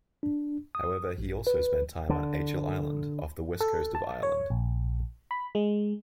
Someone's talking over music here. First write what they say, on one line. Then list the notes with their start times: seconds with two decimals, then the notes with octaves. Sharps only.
However, he also spent time on Achill Island off the west coast of Ireland.
0.23 D4
0.75 D#6
1.18 A1
1.47 B4
2.09 D3
3.60 A4
3.95 A5
4.23 C#5
4.50 A#1
5.31 B5
5.55 G#3